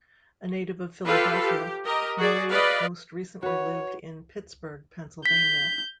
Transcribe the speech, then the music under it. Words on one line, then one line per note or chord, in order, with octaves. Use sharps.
A native of Philadelphia, Murray most recently lived in Pittsburgh, Pennsylvania.
F4 G4 A4 B4 F5
G4
G4 A#4 D#5
F#4 G#4 D5
B4 D5 D#5 F5
F#4 B4 C#5
G6 B6